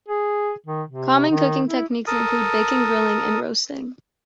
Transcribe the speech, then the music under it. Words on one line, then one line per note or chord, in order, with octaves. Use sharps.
Common cooking techniques include baking, grilling and roasting.
G#4
D#3
C3
D#3
E4
A4 A#4 D#6